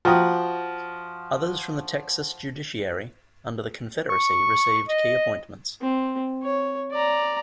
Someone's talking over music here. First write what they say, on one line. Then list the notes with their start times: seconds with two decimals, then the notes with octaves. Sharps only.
Others from the Texas judiciary under the Confederacy received key appointments.
0.05 F3 F#4 G5 A#5 D#6
4.09 C#6
4.88 D#5
5.81 C4
6.43 C#5
6.91 D5 A#5